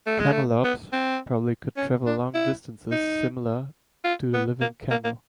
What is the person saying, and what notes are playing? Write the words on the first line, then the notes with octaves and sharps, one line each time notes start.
"Camelops" probably could travel long distances, similar to the living camel.
A3
G#3
A3
B3
C4
C#4
D4
E4
D#4
F4
B3
A#3
A#3
A#3